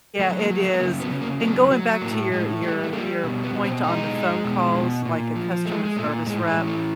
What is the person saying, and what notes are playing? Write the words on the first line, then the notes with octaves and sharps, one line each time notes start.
Yeah, it is. And going back to your your your point on the phone calls, like a customer service rep,
F#3 A3
A#3
F#3
A3
B3
C#3 A#3
B3
C#3
A#3
F#3 B3
F#3
A2 A#3
A2 G#3
G3 A3
A3
G3 A#3
B2
B3
B2
C4
G#3 D#4
G#3
B2
B2
A#2
F3
G#3 A3
G#3
A#2 A3
A2 G#3
G#3
E3
A3